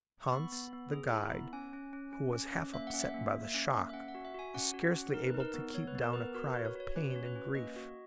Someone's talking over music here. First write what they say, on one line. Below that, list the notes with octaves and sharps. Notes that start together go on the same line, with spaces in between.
Hans, the guide, who was half upset by the shock, was scarcely able to keep down a cry of pain and grief.
C#6
B3 B5
B3
B3
G#4
A#5
E4 B5
B3
C#4 G#5
C#4
C#4
C#4
C#4
C#4
A#3 E5
F#5
C#4
E5
A#3
A#3
C#4
A#3
E5
C#4 F#5
F#5
F#4
E5
F#4 G#5
C#4 F#5
F#4
C#4
D#4 A#4
B4
D#4
A#4
B3
B3 C#5
B4
B3
A#4
B3 B4
F#4 A#4
B4
F#4
C#5
F#4 C#5
C#4 B4
C#5
F#4
B4
C#4
B4
A#3 D#5
F#4